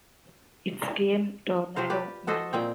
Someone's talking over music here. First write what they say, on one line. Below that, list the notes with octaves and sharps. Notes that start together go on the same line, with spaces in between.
Its game Tornado Mania!
C3 F3 C5 F5
G4 B4 D5
F#4 A4 C5 D#5
A#2 C4 G5